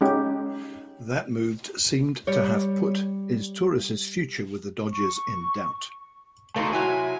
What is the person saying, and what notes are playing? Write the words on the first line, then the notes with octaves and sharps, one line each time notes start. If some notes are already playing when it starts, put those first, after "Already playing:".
That move seemed to have put Izturis' future with the Dodgers in doubt.
G#3 C#4 D#4 G4
G3 C#5
C#6
A3 A#3 C4 D#4 F#4
C3 F#3 E4 G#5